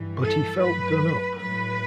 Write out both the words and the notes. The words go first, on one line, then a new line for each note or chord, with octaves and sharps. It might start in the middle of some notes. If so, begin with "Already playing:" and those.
But he felt done up.
Already playing: G2 E3 G3
A4
G2 F#3 A3 B4
A2 F#3 A3 B4